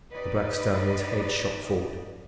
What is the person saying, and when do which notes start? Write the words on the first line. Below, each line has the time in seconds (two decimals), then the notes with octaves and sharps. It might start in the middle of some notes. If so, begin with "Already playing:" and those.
The black stallion's head shot forward.
0.13 D#4 G4 B4 D5 D#5